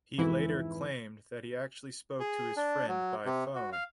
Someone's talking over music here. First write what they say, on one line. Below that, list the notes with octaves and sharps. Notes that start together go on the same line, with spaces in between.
He later claimed that he actually spoke to his friend by phone.
F2 G#2 E3 E4
G#4
D4
F#3
C3
F#4
F5